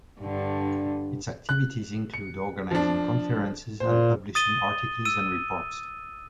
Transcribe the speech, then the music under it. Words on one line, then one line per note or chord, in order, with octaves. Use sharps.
Its activities include organising conferences and publishing articles and reports.
G2 D3
F#6
C#7
F3 D4
A#2 C5
D#6 A6 D#7 G7
E6 D#7